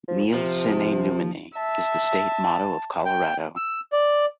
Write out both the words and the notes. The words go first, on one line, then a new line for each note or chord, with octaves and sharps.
"Nil sine numine" is the state motto of Colorado.
F3
C3 F3
E5 A5
G5
E6
D5